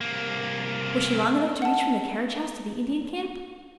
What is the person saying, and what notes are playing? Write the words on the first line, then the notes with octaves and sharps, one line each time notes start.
Was she long enough to reach from the carriage house to the Indian camp?
C2 A#3
F#5 A5